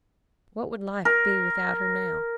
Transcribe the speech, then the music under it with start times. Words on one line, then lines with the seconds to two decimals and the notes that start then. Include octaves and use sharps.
What would life be without her now?
1.05 A#4